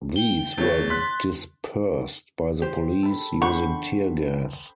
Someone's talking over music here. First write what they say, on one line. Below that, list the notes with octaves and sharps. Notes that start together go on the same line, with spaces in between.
These were dispersed by the police, using teargas.
G5 G7
G1 E2 C#5 A6
C6 F#6 B6
G4 C5
A4 B5
D4 C5 F#5 G5 B5 C#6